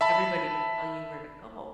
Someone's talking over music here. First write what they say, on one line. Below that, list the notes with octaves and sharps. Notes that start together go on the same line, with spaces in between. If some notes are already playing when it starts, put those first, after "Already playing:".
everybody will tell you where to go,
E5 A5 B5